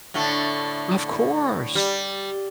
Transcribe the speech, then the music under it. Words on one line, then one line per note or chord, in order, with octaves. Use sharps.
Of course.
A2 D3 A3
G3